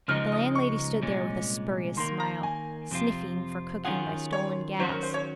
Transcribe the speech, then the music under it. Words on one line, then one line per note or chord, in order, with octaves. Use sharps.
The landlady stood there with a spurious smile, sniffing for cooking by stolen gas.
C#2 C#3 F3 G#3 D#4 F6
D#6
C#6
C2 A#2 G#3 C#4
D#2 D#3 A#3 C6
A#5
G#5
F2 C3 F3 C4 F4
D#3 F#3 C#4 F4 G#4 F#5
C#5
D#3 F#3 C#4 F#4 C5
A#4
C5
C#5